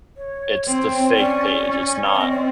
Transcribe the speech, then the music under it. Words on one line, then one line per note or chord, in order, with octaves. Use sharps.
it's the fake page, it's not
C#5
C4
C#4 D5
C#4
E5
C4 D#5
D5